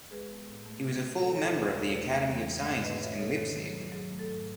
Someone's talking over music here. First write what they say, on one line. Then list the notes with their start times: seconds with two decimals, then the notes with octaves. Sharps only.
He was a full member of the Academy of Sciences in Leipzig.
0.11 G#3 G#4 B4
0.30 B3
0.48 A2
0.66 A3
0.83 B2
1.02 B2
1.20 C#3 A4
1.39 E3 A4
1.56 E2 G#4 B4
1.74 B2 A4 C#5
1.93 A3
2.11 E2
2.28 E3
2.46 G#3
2.65 G#2
2.82 A3 B4 D#5
3.01 B2 C#5 E5
3.19 B2 A4 C#5
3.37 D#3 A4
3.56 F#3
3.74 F#2
3.92 F#3 G#4
4.10 A3
4.19 A4
4.28 G#2